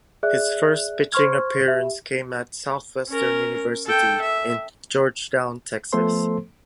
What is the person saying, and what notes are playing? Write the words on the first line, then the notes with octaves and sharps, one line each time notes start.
His first pitching appearance came at Southwestern University in Georgetown, Texas.
G#4 D5 E5 F#6
C5 C6 C#6 F6 G#6
G4 E5
C#4 A#4
A4 G5
E5
F3 A3 B3 A4 C5 C6